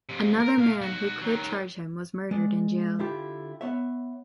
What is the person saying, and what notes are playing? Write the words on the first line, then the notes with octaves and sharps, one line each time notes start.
Another man who could charge him was murdered in jail.
F2 C3
A#4
A#2 F5
B1 F#4
D#3 F#3
G#3 D5
D3 E4 F4 G4
B3 C#5 E5